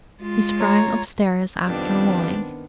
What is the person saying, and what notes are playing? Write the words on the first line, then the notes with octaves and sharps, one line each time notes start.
He sprang upstairs after Wally.
G#3 F4
C#5 A#5
F2 D#3 G3 B3 C4 D4